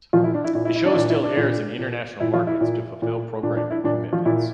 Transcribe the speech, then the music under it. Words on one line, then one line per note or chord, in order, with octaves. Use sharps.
The show still airs in international markets to fulfil programming commitments.
A#2 F3 F4
E4
D4
E4
A#2 E4
E4
E4
D4
E4
A#2 D4
E4
D4
A#2
A#2
A#2 E4
F3 F4
E4
A#2
A#2
A#2 D4
D4
E4
A#2 D4
F3 F4
A#2 E4